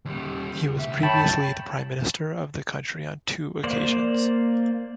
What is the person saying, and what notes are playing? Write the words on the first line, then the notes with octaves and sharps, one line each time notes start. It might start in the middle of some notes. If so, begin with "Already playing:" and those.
He was previously the Prime Minister of the country on two occasions.
D#2 G3
C#2 E5
F#2 C#5 G5 A5 B5
A#3 C5 D5